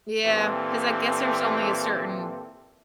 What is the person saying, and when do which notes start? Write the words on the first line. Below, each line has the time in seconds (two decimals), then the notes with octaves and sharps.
Yeah, 'cause I guess there's only a certain
0.25 A#2 E3 C4 G4 A4